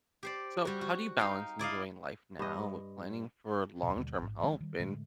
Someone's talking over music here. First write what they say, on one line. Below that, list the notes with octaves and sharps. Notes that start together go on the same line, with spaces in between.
So, how do you balance enjoying life now with planning for long-term help in
G4 C5 D5
G3 F#4
F#4
D#4 F5 G5
E4 D5 D#5 F5
G2 D#5
D#2 B2
D#2 B2 D3 G3
A1 G#2
D#3 F3 F#3 G#3
D#3 G3
A2 D3 G#3 A3